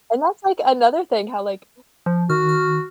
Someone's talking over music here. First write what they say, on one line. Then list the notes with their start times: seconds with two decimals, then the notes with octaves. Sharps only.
And that's like another thing how, like,
2.06 F3
2.30 D#3 F#4 F6
2.49 F6